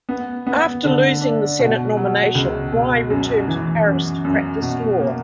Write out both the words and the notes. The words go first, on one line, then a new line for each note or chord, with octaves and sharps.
After losing the Senate nomination, Rye returned to Paris to practice law.
B3
B3
D3
D4
B2
F#3
C#2
B2
F#2
E3
F#2
F#2
B2
A#3